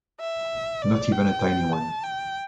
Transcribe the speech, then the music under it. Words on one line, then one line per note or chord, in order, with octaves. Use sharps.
Not even a tiny one.
E5
D5
G5
A5
G5